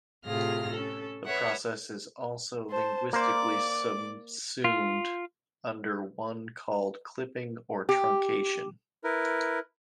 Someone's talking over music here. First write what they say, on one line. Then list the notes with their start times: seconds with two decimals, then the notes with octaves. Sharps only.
The process is also linguistically subsumed under one called "clipping", or "truncation".
0.25 A2 C3 F4 G#4 F6 A#6
0.72 C#4 A4
1.26 B4 C#5 E5 F#5
2.70 C5 A5
3.13 A#3 C5 D5 D6
4.64 F4
7.89 G4
9.04 E4 A#4 B4